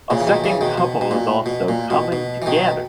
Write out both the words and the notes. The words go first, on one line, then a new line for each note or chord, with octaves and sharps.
A second couple is also coming together.
A#2 C#3
E3
B2 D#3
C#3 E3
B2 D#3
B2
B2
A#2
B2
A#2
B2
B2
E3
B2 D#3